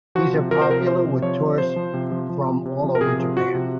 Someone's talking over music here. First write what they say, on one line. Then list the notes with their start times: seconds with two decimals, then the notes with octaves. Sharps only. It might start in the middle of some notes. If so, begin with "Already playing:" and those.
These are popular with tourists from all over Japan.
0.15 F3 F#4
0.34 C3
0.51 F3 A#4
0.61 C5
0.69 C3 A#4
0.87 F3 C5
1.05 C3
1.22 F3 C#5
1.41 C3
1.58 F3 C5
1.76 F3
1.94 C3
2.12 F3
2.30 F3
2.48 C3
2.65 C3
2.83 F3
2.95 A#4
3.01 C3 G#4
3.19 F3
3.36 F3 F#4
3.55 C3